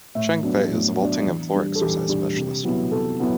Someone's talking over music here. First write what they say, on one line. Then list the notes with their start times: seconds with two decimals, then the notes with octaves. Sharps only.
Cheng Fei is a vaulting and floor exercise specialist.
0.15 A2 E5
0.43 F#3 B3 D4
0.71 A2
0.98 F#3 B3 D4
1.26 E3
1.53 G3 D4
1.75 A4
1.81 E3 G4
2.09 G3 D4
2.37 C3
2.64 F#3 B3 E4
2.91 C3 A4
3.19 F#3 B3 E4